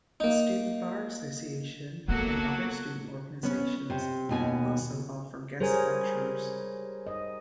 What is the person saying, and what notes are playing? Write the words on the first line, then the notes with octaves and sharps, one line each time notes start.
The Student Bar Association and other student organizations also offer guest lectures.
A#3 D#4
F#3 A#3 B3 F#4 A4
B3 C#4
C3
D#2 B2 G#5
G3 G#4 A#4 C5 C#5 G#5
D#5